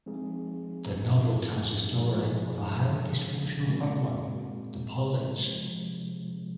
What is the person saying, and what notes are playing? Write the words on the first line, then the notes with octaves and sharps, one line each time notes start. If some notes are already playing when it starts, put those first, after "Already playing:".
The novel tells the story of a highly dysfunctional family, the Pollits.
F3 G#3 C4 D#4 G#4
F3 G#3 D#4 G#4
A#2 G#3 C4 F#4 A#4
C3 F3 G#3